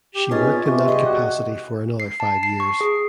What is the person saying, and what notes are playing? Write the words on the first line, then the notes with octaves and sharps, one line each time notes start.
She worked in that capacity for another five years.
G4
B3 C#4 D#4 F4 G#4 A6
A#2
C3 B3 E5 C#6
G3 G#4 D#5
F#4
C7
A5
C7
C#6
G#4